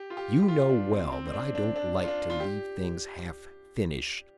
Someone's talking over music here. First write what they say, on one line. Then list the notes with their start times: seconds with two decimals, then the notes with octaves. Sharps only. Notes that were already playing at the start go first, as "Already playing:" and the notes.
"You know well that I don't like to leave things half finished."
Already playing: G4
0.10 F4
0.17 G4
0.42 G4
0.48 F4
0.70 D4
0.91 C4
1.12 C4
1.27 C4
1.34 D4
1.55 D4
1.76 D4
2.04 F4
2.08 D4
2.30 F4
2.40 G4